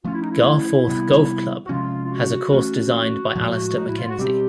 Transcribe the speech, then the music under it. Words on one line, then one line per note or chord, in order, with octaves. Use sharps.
Garforth Golf Club has a course designed by Alister MacKenzie.
F3 A3 C#4 F4
E4
D#4
E4
C3 E3 G3 B3
F#4
C3 F3 G#3 C#4 F4
F4
F#4
E3 A3 C#4
A2 F3 G#3
D#4
E4
F4
F#4
B2 G3 C4 G4